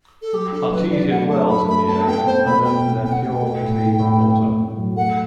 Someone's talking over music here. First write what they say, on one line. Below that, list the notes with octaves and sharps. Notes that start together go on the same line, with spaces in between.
Artesian wells in the area are known for their pure, clean water.
A4
F#3 G4
D4 A4
F#3 B4
D4 D5
A3 F#5
A3 A5
A3 B5
A3 B5
B3 A5
B3 G5
B3 C5
B2 B5
B2 G5
B2
B2 G5
F#5
B2 G5
A3
A2
A2
A2
A2
A2
A2
F#3
A3 F#5